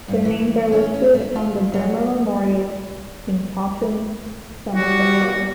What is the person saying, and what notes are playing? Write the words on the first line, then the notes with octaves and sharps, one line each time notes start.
Their names are listed on the Burma Memorial in Taunton, Somersetshire.
G2
E3
C#4
C#4
A3
F4
F#3
G3 F#4